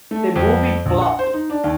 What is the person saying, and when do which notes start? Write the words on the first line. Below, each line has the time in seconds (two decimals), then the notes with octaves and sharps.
The Movie", "Plop!
0.11 A3
0.36 F2
0.86 A#1
1.01 F#5
1.19 C5
1.33 D#4
1.50 D4
1.64 D#2